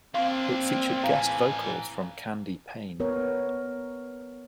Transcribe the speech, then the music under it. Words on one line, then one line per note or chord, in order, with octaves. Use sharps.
It featured guest vocals from Candie Payne.
A#3 C4 D4 F5 C6
A2 E3 A#4 F5 G#5
B3 A#4 C#5